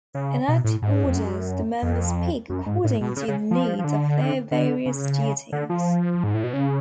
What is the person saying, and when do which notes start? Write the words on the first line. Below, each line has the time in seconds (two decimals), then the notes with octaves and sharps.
In active orders the members speak according to the needs of their various duties.
0.15 C#3
0.48 B2
0.64 A2
0.82 G#2
1.04 F2
1.15 F#2
1.83 F2
2.50 F#2
2.66 G#2
2.84 A2
3.01 B2
3.16 C#3
3.28 C#3
3.51 F3
3.79 F3
3.84 D3
4.51 D3
4.86 C#3
5.52 D3
5.69 F3
6.24 G#2
6.34 A2
6.44 B2
6.53 C#3